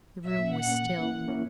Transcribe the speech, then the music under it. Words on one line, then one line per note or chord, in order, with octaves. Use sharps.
The room was still.
A#2 E5
A#3 C#4
A#2 F#5
A#3 C#4
E3
A#3 C#4 E4
E3
A#3 C#4 E4